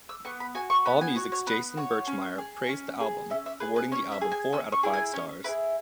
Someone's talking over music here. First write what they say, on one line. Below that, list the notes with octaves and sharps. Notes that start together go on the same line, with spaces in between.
AllMusic's Jason Birchmeier praised the album, awarding the album four out of five stars.
E6
B3 C#6
B5
F#4 G#5
C#6
B3 B5
G#5
F#4 C#5
C#5
B3 B4
F#4 C#5
C#4
G#4
C#4
G#4
C#4 E5
E5
G#4 B4
B4
C#4 C#5
E5
G#4
G#5
C#4 E6
C#6
E4 G#4
G#5
C#4 C#5
E4 G#4 B4